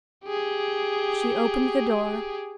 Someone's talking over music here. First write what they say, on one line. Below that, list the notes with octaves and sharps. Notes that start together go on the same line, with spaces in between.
She opened the door.
G4 G#4